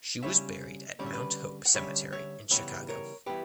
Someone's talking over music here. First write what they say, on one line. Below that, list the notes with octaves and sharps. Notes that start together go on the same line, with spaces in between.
She was buried at Mount Hope Cemetery in Chicago.
C#3 G3 C#4 C#5 E5
D3 G3 C#4 D5
E5
B4 D5
F#5
D3 G3 C#4 C#5 E5
C#5 E5
C#3 E3 G3 B3 C#5 E5
A#4 C#5
E3 G3 B3 G4 B4